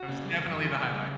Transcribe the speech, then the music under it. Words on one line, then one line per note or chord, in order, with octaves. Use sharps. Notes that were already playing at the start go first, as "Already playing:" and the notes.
That was definitely the highlight.
Already playing: F#4
C#3
G3
F#2
E3
C#3
G3